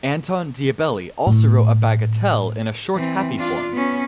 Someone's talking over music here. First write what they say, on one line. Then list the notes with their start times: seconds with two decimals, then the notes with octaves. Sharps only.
Anton Diabelli also wrote a bagatelle in a short, happy form.
1.27 A2
2.95 E3 C4
3.38 D4 F4
3.73 B3 C#4